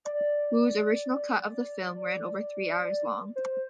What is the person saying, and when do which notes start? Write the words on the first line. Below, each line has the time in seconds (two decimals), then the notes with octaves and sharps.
Woo's original cut of the film ran over three hours long.
0.05 D5
3.36 C5